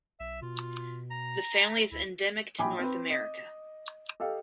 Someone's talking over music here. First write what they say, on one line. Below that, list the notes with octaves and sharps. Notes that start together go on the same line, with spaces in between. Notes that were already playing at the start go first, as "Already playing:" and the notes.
The family is endemic to North America.
B1 E5
B2 F4
A#5
D2 E4
A#1 G5 G#5 B5 D6
C4 B4
D#5
G4 A4 D#5 F5